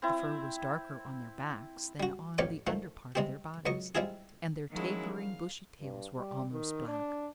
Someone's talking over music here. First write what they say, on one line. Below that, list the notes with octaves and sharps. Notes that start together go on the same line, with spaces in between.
The fur was darker on their backs than on the under part of their bodies, and their tapering, bushy tails were almost black.
C4 E4
G3 F#4
A1 F2 C#5 D5 G5 D6
D#3 F3 A3
C3 G3 G#3 C4 G4
C#2 F#3 D#5 C#6
G3 G#3 C4 E4 F4 G#4
D#3 F3 F#3 G#3 C#4 E4
F5
G2
G3
D#3
D4